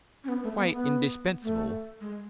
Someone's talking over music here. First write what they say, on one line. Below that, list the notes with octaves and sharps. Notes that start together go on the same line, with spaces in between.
"Quite indispensable."
C#4
B3
A3
B3
B3
A3
G#3